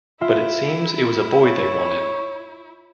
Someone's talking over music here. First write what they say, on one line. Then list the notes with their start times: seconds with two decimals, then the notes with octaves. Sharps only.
But it seems it was a boy they wanted.
0.21 E4 F4 E5
1.44 C#5